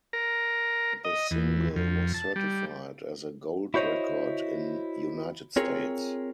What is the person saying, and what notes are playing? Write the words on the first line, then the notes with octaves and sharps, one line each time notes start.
The single was certified as a Gold Record in United States.
A#4
D#5
E2
F2
A5
G3
E4 F#4 C5 C#5 D#5
C4 F4 G#4 A#4 C#5